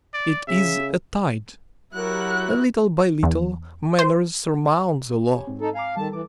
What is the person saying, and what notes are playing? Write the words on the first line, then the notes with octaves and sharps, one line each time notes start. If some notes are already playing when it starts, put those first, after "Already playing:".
It is a tide. Little by little manners surmount the law.
D5
C#3 E5
F#3 E4 F#4 G4 A#4 F#5 F#6
E2
C5
G4 C#5 G#5
G#2 C4
D#4 A4
F5 G#5 A#5 D6
D#3 G3 A4 A5
E3 A5 D6